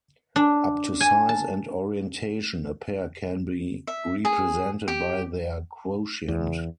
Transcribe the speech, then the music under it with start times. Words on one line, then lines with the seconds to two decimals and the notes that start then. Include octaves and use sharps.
Up to size and orientation, a pair can be represented by their quotient.
0.36 D4
1.01 G#5
1.29 A5
3.87 E5
4.25 G#4
4.88 G4
6.28 E2